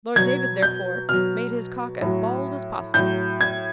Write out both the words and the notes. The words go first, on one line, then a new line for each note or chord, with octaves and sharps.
Lord David, therefore, made his cock as bald as possible.
B2 F#3 G#6
G6
B2 F#3 F6
A2 F#3
A2 F#3 G6
G#6